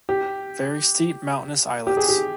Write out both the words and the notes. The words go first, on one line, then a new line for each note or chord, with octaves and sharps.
Very steep mountainous islets.
G4
G4
G#4
G4